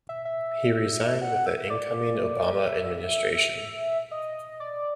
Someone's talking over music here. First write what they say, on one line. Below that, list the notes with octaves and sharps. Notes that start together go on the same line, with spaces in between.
He resigned with the incoming Obama administration.
E5
E5
F#5
E5
D5
E5
D#5
D5